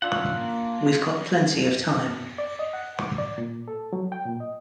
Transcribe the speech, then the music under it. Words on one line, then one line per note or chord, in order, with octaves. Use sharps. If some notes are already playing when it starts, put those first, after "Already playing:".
We've got plenty of time.
C#4 D4 F4 E5 F#5
A#3
D5
D#5
F#5
D6
D5
A#2
A4
F#3
G5
A#2
D#5